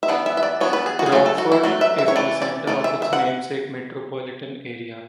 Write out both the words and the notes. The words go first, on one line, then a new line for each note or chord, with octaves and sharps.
Rockford is in the center of its namesake metropolitan area.
E5
E3 B3 D4 F#5
E5
E5
D5
E3 B3 D4 C#5
B4
G#4
F#4
G#4
F#3 A3 D4 F#4
A4
F#4
E4
F#3 A3 D4 F#4
E5
E5
C#5
E3 A3 D5
D5
E3 A3 D5
E5
E5
F#5